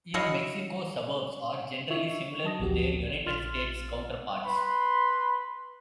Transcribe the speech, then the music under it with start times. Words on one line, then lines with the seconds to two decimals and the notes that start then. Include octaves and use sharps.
In Mexico, suburbs are generally similar to their United States counterparts.
0.14 E4 F#4 C#5 D#5 F5 F#5
1.91 E4 F4 D#5 E5 C#6
2.44 F#3 A5 D#6 A#6
2.60 A1 D2 F3 F#4 G4
3.26 A#1 F4 C6 F6 A6
4.46 B4 B5 C6